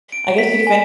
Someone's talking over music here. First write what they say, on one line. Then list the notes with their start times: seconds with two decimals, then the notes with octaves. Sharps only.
I guess you could say
0.12 D7
0.38 B6
0.67 G#5